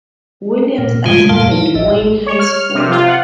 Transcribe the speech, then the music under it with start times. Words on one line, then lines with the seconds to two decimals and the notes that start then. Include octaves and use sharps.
Williams attended Wayne High School.
0.78 A#2
1.06 G#2 C#3 G3 G#3 F4
1.29 F2 A#2 G3 F5 A5
1.52 D#4 E4
1.75 A1 A2 D#5
2.26 C#5
2.39 F6
2.75 C3
2.90 F4
3.08 F#5